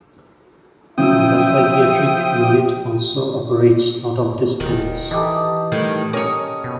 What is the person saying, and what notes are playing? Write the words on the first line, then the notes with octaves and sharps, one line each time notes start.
The psychiatric unit also operates out of this Annex.
C#3 F3 F#3 E5 G5 D#6 E6
D#1 D#3
E3 D#4 G4 A4
A2 D#3 G3
C#4 A#4 C#5 D#6
B2